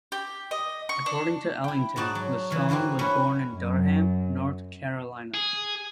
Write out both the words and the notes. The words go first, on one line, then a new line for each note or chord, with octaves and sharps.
According to Ellington, the song was born in Durham, North Carolina.
G4
D#5
C#6
D4
E4 G5
G#2 D#4 F#4 D5 A5
F#3
E3 C#4
D3 E3 A#3 C4 F#4
C#4 E4 F#4 B4 C#5 G#5
F#2
G#4